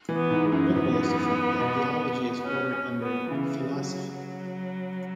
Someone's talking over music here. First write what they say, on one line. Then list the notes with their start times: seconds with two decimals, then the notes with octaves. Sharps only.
Notable is the fact that theology is ordered under 'Philosophy'.
0.09 E3
0.16 B3
0.30 G#2
0.45 G#3
0.52 F#2
0.74 G#2 B3
1.59 B2
2.44 C#4
3.02 B3
3.30 C#3 E3
3.73 F#3
4.17 F#3